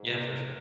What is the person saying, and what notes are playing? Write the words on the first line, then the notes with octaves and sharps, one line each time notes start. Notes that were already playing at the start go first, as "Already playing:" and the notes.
Yeah, for sure.
Already playing: G#2
C3
C3